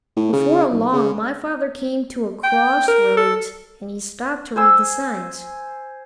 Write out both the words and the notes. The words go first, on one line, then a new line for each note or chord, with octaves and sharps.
Before long my father came to a crossroads and he stopped to read the signs.
A2
C#3
B1
C#3
G5
A#4
A4
C5 G#5 E6